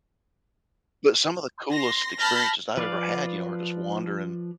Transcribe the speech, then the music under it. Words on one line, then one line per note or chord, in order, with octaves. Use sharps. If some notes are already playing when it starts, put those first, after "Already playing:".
But some of the coolest experiences I've ever had, you know, are just wandering
C6 A#6
A5 B5 F6 G6 A6 A#6
F3 B4 D5 F5